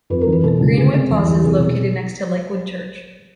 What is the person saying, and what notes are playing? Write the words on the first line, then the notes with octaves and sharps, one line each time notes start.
Greenway Plaza is located next to Lakewood Church.
F2 B4
A#4
E3
B4
B2 A4
C#2
D2 G#4
C3
E2
E2
G4
C2 G#4
B2